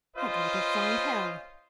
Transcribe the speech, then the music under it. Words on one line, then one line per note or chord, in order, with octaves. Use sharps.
I'd rather find hell!
C#4 F4 B4 C5 D#5